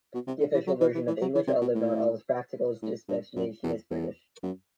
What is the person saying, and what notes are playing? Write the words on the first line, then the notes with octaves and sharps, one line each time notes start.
The official version of English, although not always practical in its dispensation, is British.
B2
C3
D3
E3
F#3
E3
E3
E3
F#3
E3
C3
B2
A2
A2
G2
F#2
E2
E2
F#2